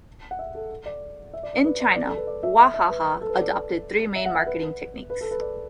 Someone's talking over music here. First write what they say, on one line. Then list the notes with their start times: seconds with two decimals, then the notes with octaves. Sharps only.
In China, Wahaha adopted three main marketing techniques.
0.31 F#5
0.39 E5
0.55 A4
0.86 D5
1.34 E5
1.43 D5
1.54 D5
1.65 B4
1.80 D5
1.96 D5
2.07 A4
2.17 B4
2.27 D5
2.43 E5
2.59 E5
2.74 E5
2.90 B4
3.21 A4
3.29 B4
3.37 D5
4.16 E5
4.26 F#5
4.36 E5
4.47 B4
5.10 B4
5.21 A4
5.31 B4
5.41 D5